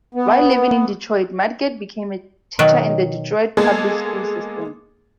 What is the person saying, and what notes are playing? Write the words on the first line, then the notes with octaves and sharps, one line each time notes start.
While living in Detroit, Madgett became a teacher in the Detroit public school system.
B3
B2 D#3 F#3
G#3 A#3 B3 G#4 A4